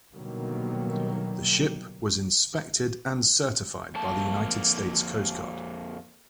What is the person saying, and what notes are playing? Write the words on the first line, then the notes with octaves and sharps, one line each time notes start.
The ship was inspected and certified by the United States Coast Guard.
B2 D3 D#3 F#3 G3 A#3
F2 A#3 A5